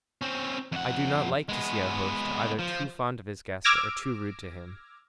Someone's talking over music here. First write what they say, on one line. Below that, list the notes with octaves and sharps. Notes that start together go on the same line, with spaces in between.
I do not like to see a host either too fond of his guest or too rude to him.
C4 C#4
F2 F#5
G#3 B3
F3
D6 E6 F6 G#6 A#6 D7